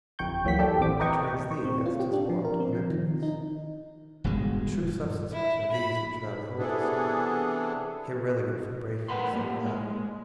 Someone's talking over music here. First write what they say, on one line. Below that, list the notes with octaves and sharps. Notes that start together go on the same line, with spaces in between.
But turns thee, as 'tis wont, on emptiness. True substances are these which thou beholdest, Here relegate for breaking of some vow.
G1 F2 G5 C#6 G6
C#2 E3 F#3 A#3 F#4 B6
G4 A4 D5 G5
A1 D#2 E3 C4 D6
A#4 B4 D#5 G5 C#6
C#6
C4
F4
G4
D4
F3
A#4
C4
F3
D#3
D#4
D#1 G2 B2 G#3
E4
B5
C3 E3 B3 D4 G#4 A4
A#4 B4 F#5 B5 C6
G3 A#3
G#3